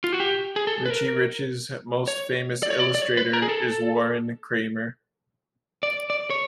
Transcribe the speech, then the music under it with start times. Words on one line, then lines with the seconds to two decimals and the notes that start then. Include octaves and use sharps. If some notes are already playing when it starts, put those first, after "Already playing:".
Richie Rich's most famous illustrator is Warren Kremer.
0.04 F4
0.13 F#4
0.20 G4
0.56 G#4
0.67 A4
0.86 B4
0.90 A#4
2.08 C#5
2.63 D5
2.70 C#5
2.79 D5
2.95 D5
3.02 C#5
3.17 B4
3.33 A#4
3.42 G#4
3.49 A4
5.83 D5
6.10 D5
6.30 C#5